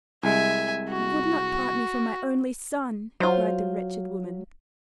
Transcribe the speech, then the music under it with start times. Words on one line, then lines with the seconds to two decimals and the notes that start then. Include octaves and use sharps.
"You would not part me from my only son!" cried the wretched woman.
0.23 C2 G#3 E5 G#5
0.89 F#4
3.20 F#3 F4 C5